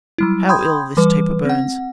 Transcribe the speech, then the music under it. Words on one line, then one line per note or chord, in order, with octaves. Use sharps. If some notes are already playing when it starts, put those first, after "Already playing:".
How ill this taper burns!
F#3 G3 E4
G5 B5 C6 D#6 G6 G#6
E3 G3 B4
C4 F#5